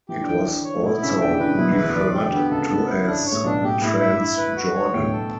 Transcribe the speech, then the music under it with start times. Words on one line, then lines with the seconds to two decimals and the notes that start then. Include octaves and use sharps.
It was also referred to as Transjordan.
0.09 E3 E4 G4
0.21 D3 D4
0.27 G5
0.34 E3 E4
0.46 D3 D4 G4
0.64 C#5
0.76 A3
0.83 B2 B3 E4
1.02 C#3 C#4 E5
1.16 C#4
1.21 D3 D4 G5
1.30 E3 E4
1.39 D3 D4 B4
1.48 C#3 C#4
1.57 B2 B3 E4
1.70 E2 E3
1.77 B4
1.82 D2 D3
1.95 E2 E3 D5
2.14 D2 D3 G4
2.32 D2 D3 B3
2.51 C#2 C#3 A4
2.69 B3
2.88 E4
3.07 D4
3.20 G2
3.26 C#5
3.32 A2
3.44 B1 B2 D4
3.62 A2 G4
3.82 A2 E4
3.94 G2
4.01 E5
4.06 G2
4.19 E4
4.38 B4
4.56 F#4
4.75 C#5
4.94 A2 G5
5.02 B1 B2
5.12 A4